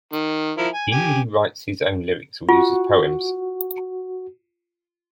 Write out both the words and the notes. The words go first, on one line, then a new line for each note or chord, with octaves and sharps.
He usually writes his own lyrics or uses poems.
D#3
F3 E4 A#4
G#5
G4 G#5
F4 F#4